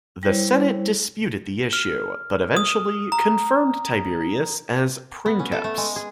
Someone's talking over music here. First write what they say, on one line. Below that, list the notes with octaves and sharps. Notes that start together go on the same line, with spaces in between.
The Senate disputed the issue but eventually confirmed Tiberius as "princeps".
G3 E4 C5 C#5
F6
D#6
A#5
B3
C#4
A4
A3
G#3
G#4